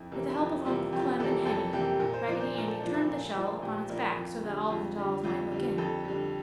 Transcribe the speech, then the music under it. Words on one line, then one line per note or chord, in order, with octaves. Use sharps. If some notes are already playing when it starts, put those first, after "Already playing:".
With the help of Uncle Clem and Henny, Raggedy Andy turned the shell upon its back, so that all the dolls might look in.
Already playing: F2 E4
C3 E3 G3 A#3
E4
F2 F4
C3 E3 G3 A#3 F4
F2 G4
F4
G4
C3 E3 G3 A#3 A4
F2 A4
C3 E3 G3 A#3 G4
G4
A#2 A#4
C5
F3 A#3 D4 D5
C5
A#2 A#4
A4
F3 A#3 D4 F4
E4
A#2 F4
F3 A#3 D4
A#2 G4
F3 A#3 D4 E4
F2 F4
D3 G3
F2 F4
D3 G3
F2 F4
D3 G3
F2 A4
D3 G3